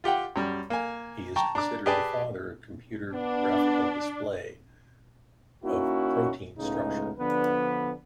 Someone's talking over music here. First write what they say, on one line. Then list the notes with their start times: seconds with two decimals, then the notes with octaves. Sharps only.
He is considered the father of computer graphical display of protein structure.
0.04 F4 G4 F#5 G5
0.36 F#2 G3
0.70 A#3 G#5
1.36 G5 A5 A#5 C#6
1.55 D4 A#5 D6
1.86 G4 G#4 B4 D5 G#5 A5
3.14 B3 D4
5.65 A#3 C#4 D#4 E4 F#4
6.58 C#2 A2 C#3 G#3 B3 D#4
7.19 D3 F3 B3 D4 B4